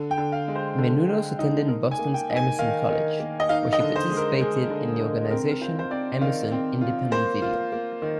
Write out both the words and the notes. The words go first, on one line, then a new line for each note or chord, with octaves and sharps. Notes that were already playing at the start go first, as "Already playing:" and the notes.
Menounos attended Boston's Emerson College, where she participated in the organization Emerson Independent Video.
Already playing: D3
G5
D3
F5
G#3
C5
D3
G#3
D#4
D#4 A#4
G#5
A#3
G5
D#4
G#5
D#3 F5
D#3
A#3
D#5
D#4 F5
D#5
D3
C5
G#3
A#4
G#3 G#4
D3
D3
C4 A#4
A#4
F4 C5
C5
C4 D5
D#3 F5
C4
F4
A#3 C5
F4
A#3
D#3